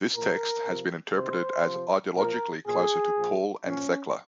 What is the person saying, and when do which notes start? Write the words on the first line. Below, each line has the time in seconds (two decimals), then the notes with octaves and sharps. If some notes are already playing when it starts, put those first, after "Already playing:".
This text has been interpreted as ideologically closer to "Paul and Thecla".
0.14 A#2 F3 A#4
0.64 C3 F3
1.15 C3 D#3 C5
1.65 C3 F3
2.15 A#2 F3 A#4
2.65 A#2 F3 G#4
3.15 A#2 F3
3.65 A#2 F3 C#4